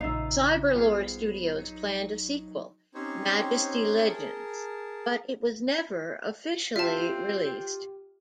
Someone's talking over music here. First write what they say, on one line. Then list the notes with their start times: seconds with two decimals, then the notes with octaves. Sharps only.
Cyberlore Studios planned a sequel, Majesty Legends, but it was never officially released.
0.01 A#1 C#3 D#4 F4 E5 F5
0.75 G2 B3 F4 G#4 C5
1.59 F#3 D#4
2.94 C4 C#4 D#4 G4 C5 C#5
4.09 G#4 A#4 A5
6.76 C4 F4 G4 E5 A5